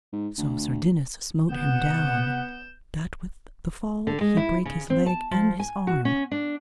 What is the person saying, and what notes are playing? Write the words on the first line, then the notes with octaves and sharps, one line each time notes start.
So sir Dinas smote him down, that with the fall he brake his leg and his arm.
G#2
D2
C3 B3 F#5 G6 E7
D3
G#3
E4
C#3
C4
A5
F3
G#5
F#4
C#4
D4